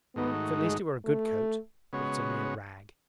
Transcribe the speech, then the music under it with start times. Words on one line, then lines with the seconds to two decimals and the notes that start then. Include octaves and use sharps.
'If at least it were a good coat, but it's a mere rag.'
0.16 G#2 D#3 A3 B3 D#4 F#4
0.60 G#3
1.05 A3
1.93 C#3 G#3 B3 F#4 C#5